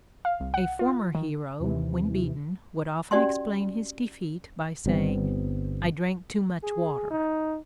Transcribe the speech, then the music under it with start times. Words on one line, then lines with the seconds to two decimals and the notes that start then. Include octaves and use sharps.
A former hero, when beaten, would often explain his defeat by saying: "I drank too much water."
0.25 F5
0.40 C2
0.54 F#5
0.79 F4
1.15 D#3
1.59 D#2 C3 E3
3.11 C#4 F#4 G4 D5 G#5 C6
4.86 G1 G3 B3 C4
6.63 G#4
7.10 D#4